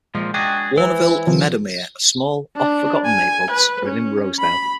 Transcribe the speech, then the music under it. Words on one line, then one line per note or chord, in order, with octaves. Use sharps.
Warnerville and Meadowmere are small, oft-forgotten neighborhoods within Rosedale.
A#2 F3 G#3
D4 F#4 G#4 G5
E3 B4 C5
D#3 F3
D4
G#5
B4
C#4
B5